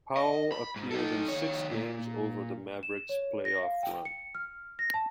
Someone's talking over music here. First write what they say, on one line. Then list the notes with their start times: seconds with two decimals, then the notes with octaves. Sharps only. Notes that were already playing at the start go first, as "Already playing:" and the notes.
Powell appeared in six games over the Mavericks' playoff run.
0.17 D#5
0.52 B5
0.76 G#2
0.91 D#4 A4
1.28 D#3 C#5
1.71 A#2
2.83 E7
3.09 C#5
3.45 A#6
3.63 F5
3.83 G5
4.05 C#7
4.35 F6
4.79 A#6
4.94 A5